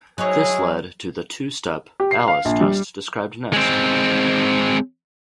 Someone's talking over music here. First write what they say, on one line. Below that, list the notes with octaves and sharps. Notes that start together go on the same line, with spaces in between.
This led to the "two-step" "Alice" test described next.
F#3 G#3 D#4 E4 G#4 C#5
G4
C7
F5
A#1
G3
G#3 C4